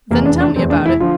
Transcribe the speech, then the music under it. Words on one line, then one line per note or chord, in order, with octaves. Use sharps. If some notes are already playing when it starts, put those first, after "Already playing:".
"Then tell me about it."
F1 E2 E3 A#3
D4
D4
F1 E2 E3 C4
D4
E4
D3 F3 F4